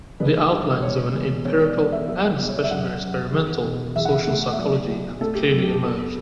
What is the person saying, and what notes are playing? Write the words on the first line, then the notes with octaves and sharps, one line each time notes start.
The outlines of an empirical, and especially an experimental, social psychology have clearly emerged.
A1 B4
G2
E1 C#5
E1
E1 C#5
D5
E1 D5
E5
F#3 E5
G1
C#5
D5
E5
F#2 F#5
F#2
E2
B2
E2 E5
F#5
E5
A3
E5
B1 D5
B1
A3 A4
G4
F#2
G4
G4
B3 A4